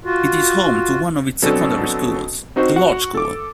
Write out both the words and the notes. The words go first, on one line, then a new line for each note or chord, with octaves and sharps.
It is home to one of its secondary schools, The Lodge School.
F4 F#4
B2 F#3 C4 D4 A4
C4 D#4 F#4 C5
F#4 F#5
A4 D6